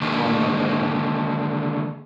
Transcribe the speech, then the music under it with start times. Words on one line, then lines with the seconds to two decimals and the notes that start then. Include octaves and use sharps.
Oh my god.
0.01 D3 D#3 G#3 A#3 D4